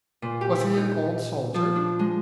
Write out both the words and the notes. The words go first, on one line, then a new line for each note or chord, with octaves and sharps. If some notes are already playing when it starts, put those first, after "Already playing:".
"Was he an old soldier?"
A#2
G4
E4
D#4
F3
D4
G#3